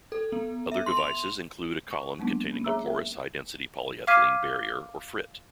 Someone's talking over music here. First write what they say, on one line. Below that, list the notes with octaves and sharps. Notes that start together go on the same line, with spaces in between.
Other devices include a column containing a porous high-density polyethylene barrier or frit.
A4
B3
E5
C6
F7
C#6
F#3 G#3 A#3 B3 D4 D#4
A#3 C#4
G#4 C#5 E5 A#5 D6 E6
A#4 E5
F5 D6 F6 G#6 B6 D#7